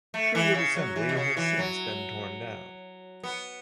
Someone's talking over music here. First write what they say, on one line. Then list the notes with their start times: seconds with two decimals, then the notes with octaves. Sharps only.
Sherwood Assembly has since been torn down.
0.14 A3
0.35 E3
0.54 C#3
0.76 F#3
0.96 E3
1.09 B2
1.17 C#3
1.37 E3
1.59 F#3
3.24 B3